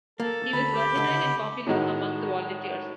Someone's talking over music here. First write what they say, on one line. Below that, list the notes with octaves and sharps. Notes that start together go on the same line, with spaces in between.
He was versatile and popular among the volunteers.
A#3 A4
D2 B5
G4
C#2 D3
A2 D#3 G#3 D#4 F#4